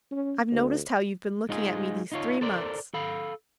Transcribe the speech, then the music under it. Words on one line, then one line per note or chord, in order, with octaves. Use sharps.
I've noticed how you've been looking at me these three months.
C#4
D2
G#3 D#4 F4 G#4
D#4 F4 C#5
A4 A#4 C5 D5
A4 F5 B5